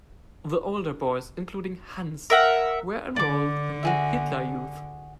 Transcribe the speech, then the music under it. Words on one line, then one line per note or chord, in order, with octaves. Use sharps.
The older boys, including Hans, were enrolled in the Hitler Youth.
A#4 E5 F#5
D3 D5 D6
F#4 G#4 E5